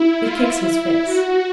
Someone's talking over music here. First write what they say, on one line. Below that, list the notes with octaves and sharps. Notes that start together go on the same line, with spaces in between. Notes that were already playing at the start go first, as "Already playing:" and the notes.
It kicks his face.
Already playing: E4
F4
E4
F#4